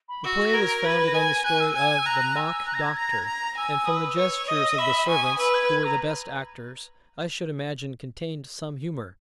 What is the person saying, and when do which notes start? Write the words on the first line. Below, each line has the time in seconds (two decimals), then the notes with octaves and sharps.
The play was founded on the story of the "Mock Doctor;" and, from the gestures of the servants, who were the best actors, I should imagine contained some humour.
0.08 B5
0.24 F#4 E6
0.45 A#6
0.54 A#4 G#6
0.85 B4 G#6
1.07 A#6
1.14 G#5 G#6
1.44 G#5 F#6
1.60 E6
1.75 G#5 G#6
1.90 G#6
1.99 E6
2.06 A#5 F#6
2.29 F#6
2.36 G#5 E6
2.66 A#5 F#6
2.74 A#6
2.81 G#6
2.96 A#5 A#6
3.12 G#6
3.27 A#5
3.57 G#5 E6
3.72 E6
3.85 B4 D#6
3.97 E6
4.18 C#5
4.48 D#5 D#6
4.78 E5 B5
5.08 G#5 C#6
5.23 D#6
5.39 B4 E6
5.54 G#6
5.70 G#6
5.84 A#5